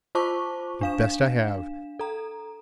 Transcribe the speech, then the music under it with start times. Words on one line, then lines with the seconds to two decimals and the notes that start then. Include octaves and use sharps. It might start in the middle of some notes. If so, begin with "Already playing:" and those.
"The best I have."
0.15 F4 C5 A5 C#6 D6
0.81 D4 F5 E7
1.99 A4 A#5